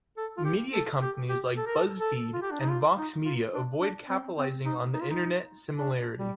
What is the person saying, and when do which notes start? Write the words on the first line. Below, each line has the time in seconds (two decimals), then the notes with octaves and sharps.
Media companies like BuzzFeed and Vox Media avoid capitalizing the "internet" similarly.
0.17 A4
0.37 F4
0.45 G4
0.74 A4
1.02 G4
1.30 G4
1.57 A4
1.66 A#4
1.76 A4
2.00 A4
2.34 F4
2.42 G4
2.51 D4
2.60 D#4
2.70 F4
2.98 D#4
3.25 F4
3.54 D4
3.81 D4
4.09 C4
4.38 C4
4.66 D#4
4.94 D#4
5.01 F4
5.10 D#4
5.78 D4
6.19 G3